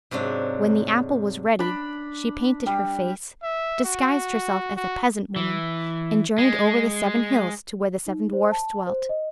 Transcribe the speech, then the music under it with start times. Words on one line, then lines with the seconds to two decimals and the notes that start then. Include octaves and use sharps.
When the apple was ready, she painted her face, disguised herself as a peasant-woman, and journeyed over the seven hills to where the seven dwarfs dwelt.
0.11 G#2 C3 F#3 D4
1.59 D4 B5
2.66 G3
3.43 E5
3.84 F#4
4.76 F#4
5.36 E3
6.38 G#3
8.07 D#4
8.33 C5
8.52 A5
8.87 C5
9.09 D#5